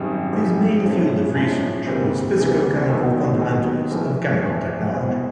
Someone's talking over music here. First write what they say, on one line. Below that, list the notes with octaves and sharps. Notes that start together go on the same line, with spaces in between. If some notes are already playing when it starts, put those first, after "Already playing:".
His main field of research was physicochemical fundamentals of chemical technology.
Already playing: G#1 F#2 D#3 G3
G#1 F#2 D#3 G3
B1 A2 F3 G#3 C#4
B1 A2 F3 G#3 C#4
D2 C3 E3 G3 A#3
D2 C3 E3 G3 A#3
D#2 D#3 F#3 B3 D#4
D#2 D#3 F#3 B3 D#4
A#1 A2 E3
A#1 A2 E3
C2 B2 G#3